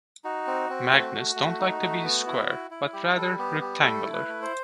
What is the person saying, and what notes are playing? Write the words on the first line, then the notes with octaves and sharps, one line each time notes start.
Magnets don't like to be square, but rather rectangular.
D#4 F#4
C4
C4
A3
A3
A3
D#4
A3
B3
E4
E4
E4
G3 G4
G3 A4
B3 G4
G3 G4
A3 A4
E4
B4
A3
C5